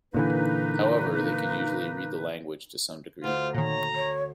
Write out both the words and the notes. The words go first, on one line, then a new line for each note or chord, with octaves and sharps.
However, they can usually read the language to some degree.
A#2 D3 E3 A#3 D#4 B4
D2 F4 C5
A#2 D#3 C#5 A#5
C#5